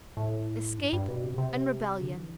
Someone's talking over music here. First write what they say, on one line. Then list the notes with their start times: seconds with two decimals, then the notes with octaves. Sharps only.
Escape and rebellion.
0.17 A2
0.78 G2
0.93 G2
1.08 B2
1.23 C3
1.38 C3
2.00 D3
2.15 E3